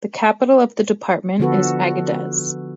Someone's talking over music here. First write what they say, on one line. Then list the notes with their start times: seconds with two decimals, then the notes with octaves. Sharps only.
The capital of the department is Agadez.
1.39 D3 F3 B3 F#4 A4 B4